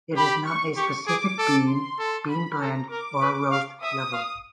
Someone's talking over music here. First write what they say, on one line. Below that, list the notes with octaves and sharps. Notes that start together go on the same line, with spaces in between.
It is not a specific bean, bean blend, or roast level.
G4 B5
C#6
G4 C#6
G#4 D6
A4
C6
A4
B5
A4 A#5
A#4 D6
B4
F5
E5 D#6
F5